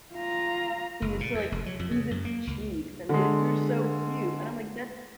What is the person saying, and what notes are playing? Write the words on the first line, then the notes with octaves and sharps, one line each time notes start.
He used to, like, squeeze its cheeks and be like, "You're so cute," and I'm like, "That
F4 A#5
F#1
A#2
E2
F1
F#3
F2
C#3
F#2
A#3
C#2
D3 G#3